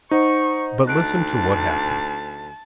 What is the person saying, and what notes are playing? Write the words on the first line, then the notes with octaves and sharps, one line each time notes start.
But listen to what happened.
D#4 C5 F#5 C#6
D2 A5 F#6 D7